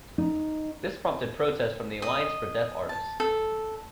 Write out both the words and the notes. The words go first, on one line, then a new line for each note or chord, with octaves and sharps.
This prompted protests from the Alliance for Deaf Artists.
D#4
D#5
A5
A4